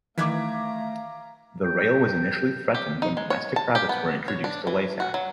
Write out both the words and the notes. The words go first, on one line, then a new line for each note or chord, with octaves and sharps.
The rail was initially threatened when domestic rabbits were introduced to Laysan.
D#3 E3 A3 F5 A#5 D6 G#6 B6
G5
G4
D#4
G#3
C#5
A5
G4
B3
C#5
D4
E3
F#4
F#3